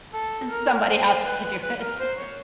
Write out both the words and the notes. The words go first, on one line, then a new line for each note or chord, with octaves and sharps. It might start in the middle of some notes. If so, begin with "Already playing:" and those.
"Somebody has to do it."
A4
A#4
C5
C5
B4
B4
B4
A#4
C5
C#5